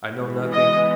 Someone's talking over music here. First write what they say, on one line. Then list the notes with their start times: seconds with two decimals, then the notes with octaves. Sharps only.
I know nothing.
0.20 E3 G#3 B3
0.52 D#5